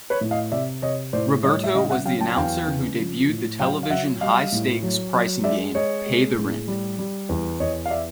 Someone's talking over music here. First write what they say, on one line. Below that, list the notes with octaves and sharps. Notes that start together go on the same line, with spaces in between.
Roberto was the announcer who debuted the television high-stakes pricing game "Pay the Rent".
B4 C#5
A2
D#5 F5
C3 D5 E5
C3 C#5 D#5
A2 C5 D5
G3 C#5 D#5
E5
C#3 D#5 F5
E5 F#5
F#3 F5 G5
G5 A5
G#5
E2 F5 G5
C#3
F3
A2
F#3 F5 G5
F5
F#3 E5 F#5
G3 D#5 F5
A2
F#3
F#3
G#3 D5 E5
G#3 C#5 D#5
G#3
A2
G3
G3
E2
E2 C#5 D#5
F5
D5 E5